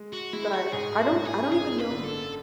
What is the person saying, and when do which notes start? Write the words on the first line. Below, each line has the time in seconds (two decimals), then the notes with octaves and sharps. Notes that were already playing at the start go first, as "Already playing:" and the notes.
but I don't I don't even know.
Already playing: G#3
0.13 F#4
0.33 G#3 E4
0.52 F#4
0.73 G#2 G#4
0.99 F#4
1.12 G#2
1.25 G#4
1.51 F#1 G#4
1.79 B4
1.91 D3
2.04 A4